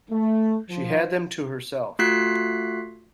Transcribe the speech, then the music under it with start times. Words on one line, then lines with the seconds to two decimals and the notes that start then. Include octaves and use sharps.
She had them to herself.
0.11 A3
0.70 F3
1.99 A3 F4 F#4 F#6 B6 C7